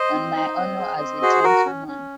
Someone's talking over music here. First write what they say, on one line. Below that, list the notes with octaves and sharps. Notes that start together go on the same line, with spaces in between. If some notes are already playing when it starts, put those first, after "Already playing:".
On my honor as a gentleman.
Already playing: C5 D#5
C4
D#4
C4
G#4
C4
F#4 G#4 C5
F#4 A#4
C#4
C#4